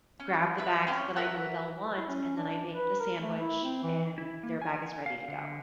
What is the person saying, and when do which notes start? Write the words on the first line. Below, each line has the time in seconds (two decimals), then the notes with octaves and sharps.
grab the bags that I know they'll want, and then I make the sandwich, and their bag is ready to go.
0.20 C#4
0.58 B4 E5
0.87 C4 C#4 C#5
1.16 F#4 A#4 E5 F#5
1.97 E4
2.09 C#4
2.37 D4
2.74 B4
3.00 A#4
3.20 A3
3.40 E4
3.64 C4
3.83 E3
4.18 E4
4.43 A#3
4.62 G#5
5.06 F5
5.28 D3